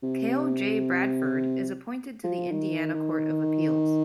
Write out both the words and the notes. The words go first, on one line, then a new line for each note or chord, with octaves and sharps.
Cale J. Bradford is appointed to the Indiana Court of Appeals.
C3
F3
D#3
D#3